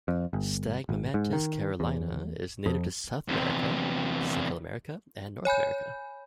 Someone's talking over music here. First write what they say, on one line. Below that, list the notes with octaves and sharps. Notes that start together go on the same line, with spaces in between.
"Stagmomantis carolina" is native to South America, Central America and North America.
F2
G1
G#1
G#2
D#3
E2
F2
E2 C3
C#5 G#5 B5 G6